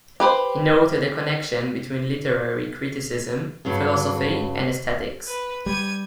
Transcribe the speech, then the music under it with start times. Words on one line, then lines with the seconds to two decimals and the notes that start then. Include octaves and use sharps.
He noted the connection between literary criticism, philosophy and aesthetics.
0.20 G4 B4 C5
3.65 G2 C#3 F#3
5.27 B4
5.66 G3 G#6 D#7